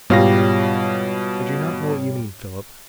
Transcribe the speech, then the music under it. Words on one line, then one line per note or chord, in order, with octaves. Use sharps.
"I do not know what you mean, Philip."
G#2 B2 G3 F4 G4 C#5 F5 A#6